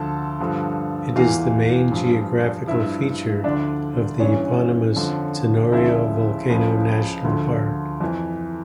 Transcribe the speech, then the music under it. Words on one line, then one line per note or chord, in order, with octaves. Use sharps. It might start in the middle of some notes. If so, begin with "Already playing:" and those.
It is the main geographical feature of the eponymous Tenorio Volcano National Park.
Already playing: D2 D3 F3 A4 A5
G2 D3 F3
E2 E3 F4 F5
G2 F3
G2 F3 E4 E5
D2 D3 F3 D4 D5
G2 E3 C#4 C#5
F2 D3 F3
D2 C#3 F3 E4 E5
C#2 C#3 F3
D2 D3 F3
F2 E3